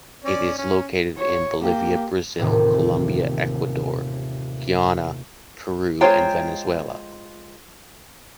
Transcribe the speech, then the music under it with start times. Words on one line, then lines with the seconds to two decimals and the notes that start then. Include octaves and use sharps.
It is located in Bolivia, Brazil, Colombia, Ecuador, Guyana, Peru, and Venezuela.
0.25 C#4 D5
0.58 C#4
1.18 C#5
1.61 A#3 G4
2.39 D#1 A1 D#2 A2 C3 C4
6.01 G#3 F4 C5 C#5 G5 A#5